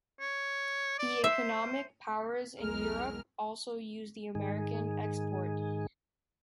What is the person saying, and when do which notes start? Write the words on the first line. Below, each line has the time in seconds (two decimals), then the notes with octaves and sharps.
The economic powers in Europe also used the American export.
0.20 C#5
0.99 D5
1.24 C5 E5
2.59 B1 E2 G#3 G#4 A#4 F6
4.35 G#2 D#3 G#4